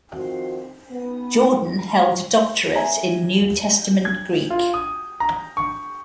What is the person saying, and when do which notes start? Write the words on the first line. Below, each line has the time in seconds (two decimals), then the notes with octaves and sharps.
Jordan held a doctorate in New Testament Greek.
0.13 D#3 F3 C4 F#4
0.90 B3
2.75 E5 G#5 A#5
4.05 G#6
4.50 F4
4.74 D#6
5.20 A#5
5.57 C#6